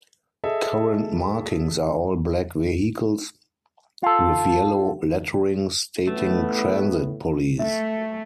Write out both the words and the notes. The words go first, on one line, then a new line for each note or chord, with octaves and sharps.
Current markings are all black vehicles with yellow lettering stating transit police.
G#4 A4 D#5 E5
F4 A4
A1 A2 A3 B3
A3 E5